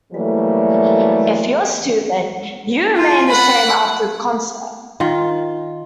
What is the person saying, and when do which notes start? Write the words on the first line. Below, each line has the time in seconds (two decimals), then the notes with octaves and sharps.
If you're stupid, you remain the same after the concert.
0.13 E3 F#3 G3 A3 A#3
2.97 F4
3.28 F#5 B5
5.00 D#3 F4